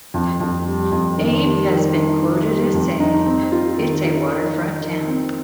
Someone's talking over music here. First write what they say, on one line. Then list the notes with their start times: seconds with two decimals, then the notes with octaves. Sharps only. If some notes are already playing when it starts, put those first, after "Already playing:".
Abe had been quoted as saying, It's a waterfront town.
0.14 F2
0.40 F2
0.66 G3
0.92 F2
1.18 D#3
1.44 G3
1.70 D#3
1.96 D#4
2.22 D#3
2.48 G3
2.74 F2
3.00 D#4
3.26 C4
3.52 F4
3.78 D#3
4.04 F4
4.30 D#3
4.57 D#3
4.81 D#3
5.08 C4